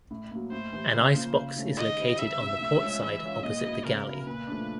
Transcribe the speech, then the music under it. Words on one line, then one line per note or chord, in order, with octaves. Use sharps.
An ice box is located on the port side opposite the galley.
A2
F#3 A#3
A2 C5
E3 G3
C#3
F3 A#3
C#3
F3 A3 C#4
D#3 D#5
G3 C4 E4
F2 E5
C3 F3
A2
F3 G#3 C#4
E3 E5
G#3 C#4 F4
A#2 D#5
F#3 B3 E4
C#3 A#4
F#3 B3 E4
A#2 B4
F3 A3 D4